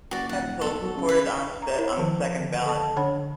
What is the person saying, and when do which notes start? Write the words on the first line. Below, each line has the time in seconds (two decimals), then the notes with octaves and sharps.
Hemphill supported Anstett on the second ballot.
0.11 F#1 F#4 D5
0.29 D#1 F#5
0.61 B1 A4
0.82 F#3
0.97 C#3
1.09 B4
1.62 A#5
1.78 E4 A#4 C#5
1.97 D#3 F3
2.40 D3
2.66 A4 A5
2.97 D3 D4 C#5 F#5 B5